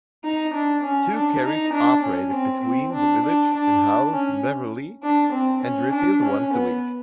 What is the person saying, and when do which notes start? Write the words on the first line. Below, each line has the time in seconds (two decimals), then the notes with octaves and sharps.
Two carriers operated between the village and Hull, Beverley, and Driffield once a week.
0.24 D#4
0.54 D4
0.84 C#4
1.13 D4
1.44 D#4
1.73 D4
2.03 C#4
2.33 C4
2.63 C4
2.93 D4
3.23 D4
3.53 D4
4.13 C#4
5.03 D4
5.33 C4
5.63 C#4
5.93 D4
6.23 C#4
6.53 B3